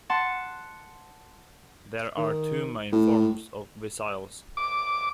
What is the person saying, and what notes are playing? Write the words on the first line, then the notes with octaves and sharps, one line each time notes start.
There are two main forms of vesicles.
F#5 A5 C6
D#3
A2
D6